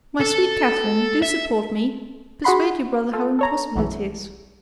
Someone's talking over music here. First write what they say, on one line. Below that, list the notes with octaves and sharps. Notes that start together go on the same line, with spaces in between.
My sweet Catherine, do support me; persuade your brother how impossible it is.
A4
E5
F#4 G#4 F#5 B5 C6
F4 A4
A4 C#5 A#5
B1 F#2 E3 A3